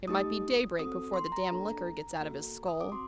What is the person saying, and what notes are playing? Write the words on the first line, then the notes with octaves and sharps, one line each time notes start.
It might be daybreak before the damned liquor gets out of his skull.
A3 D#4 G4 D#6
C4 F#4 A4 D#6
C6
A#5
A#3 D4 A4
A#3 F#4 A4
D#6
D6
C4 F#4 C6